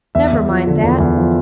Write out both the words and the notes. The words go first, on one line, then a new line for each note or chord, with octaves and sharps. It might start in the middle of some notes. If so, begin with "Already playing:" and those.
'Never mind that.
E2 E5
E2
F3
D3
E2
E2
F3